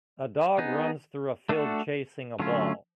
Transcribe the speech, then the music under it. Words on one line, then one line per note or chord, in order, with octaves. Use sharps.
A dog runs through a field chasing a ball.
B3 D#4 G#4
A3 D4 F#4 A4
D3 F#3 A3 C#4 F4